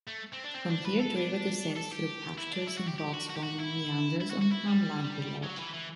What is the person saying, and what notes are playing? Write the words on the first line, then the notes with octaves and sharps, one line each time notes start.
From here the river descends through pastures and bogs forming meanders on farmland below.
A3
C4
D4
C4
D4
B4
A4
D4
A4
G4
E4
D4
E4
F#4
G4
G4
F#4
F#4
G4
F#4
E4
E4
F#4
F#4
E4
G3
F#3
E3
E3